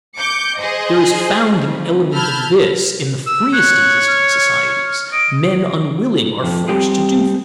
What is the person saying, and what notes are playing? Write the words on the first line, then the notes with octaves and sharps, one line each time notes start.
There is found an element of this in the freest existing societies; men unwilling are forced to do things.
D6 G6 C#7
G#4 C5 D#5
F2
A5 B5 E6 F6 G6 G#6
E6
C#5 F#6
F6
D#5 D7
F2
G3 C4 G4 G#4